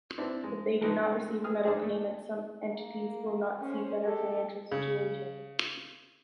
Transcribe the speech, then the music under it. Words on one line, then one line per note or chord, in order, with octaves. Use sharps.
If they do not receive metal payments, some entities will not see a better financial situation.
C4 D4 E4
G#3
A2 F3 G#3 D#4 B4
G#4 D#6 F6
D4 D#4 G#4 C5
A3
A#3
C#4 C5
G4 A4
C#3